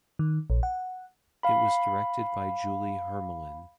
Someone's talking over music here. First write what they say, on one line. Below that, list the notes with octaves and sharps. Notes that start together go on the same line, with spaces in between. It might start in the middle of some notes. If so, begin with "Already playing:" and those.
It was directed by Julie Hermelin.
D#3
A#1
F#5
F5 B5